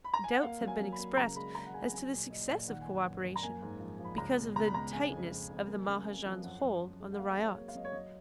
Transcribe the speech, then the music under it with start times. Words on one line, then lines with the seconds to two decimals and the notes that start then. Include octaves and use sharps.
Doubts have been expressed as to the success of co-operation because of the tightness of the Mahajan's hold on the ryots.
0.04 B5
0.14 A#5
0.24 G#5
0.33 F#5
0.43 A#3 F5
0.61 F#3
0.67 G#5
0.80 F#3
0.92 B5
0.99 A#3
1.17 C#3 A#5
1.36 G#3 B5
1.55 G#3 A#5
1.66 F#5
1.73 G#3 G#5
1.93 F#3 G#5
2.11 A#2
2.30 A#2 D#5
2.48 A#2
2.68 D#3 F#5
2.81 G#5
2.86 F#2
2.94 F#5
3.05 F#2
3.24 F#2
3.36 A#5
3.43 A#3 G#5
3.62 G#2
3.80 F3
3.99 F3
4.04 B5
4.17 C#2 A#5
4.37 B2
4.56 C#2 A#5
4.67 B5
4.74 C#2 A#5
4.92 C#3 G#5
5.12 F2
5.31 F2
5.50 F2
5.68 A#3
5.87 C#3
6.05 C#3
6.25 F3
6.43 F#2 F#5
6.62 F#2
6.80 F#2
7.00 G#3
7.13 F#5
7.19 A#3 F5
7.37 F#3
7.43 C#5
7.56 A#3
7.68 F5
7.75 F#3 D#5
7.85 C#5
7.92 F#3 D#5